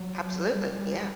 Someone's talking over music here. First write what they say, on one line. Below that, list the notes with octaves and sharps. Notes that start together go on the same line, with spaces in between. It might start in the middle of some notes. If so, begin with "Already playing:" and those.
Absolutely, yeah.
Already playing: F#3
G3
G3